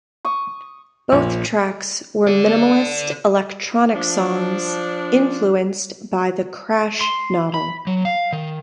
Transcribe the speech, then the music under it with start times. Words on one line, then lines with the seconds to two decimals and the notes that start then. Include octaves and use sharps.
Both tracks were minimalist electronic songs influenced by the "Crash" novel.
0.25 C#6 D#6
1.12 A#1
2.27 A4 D5
3.93 F3 D4
7.01 C6
7.54 B5
7.87 F#3
8.05 F5
8.33 D#3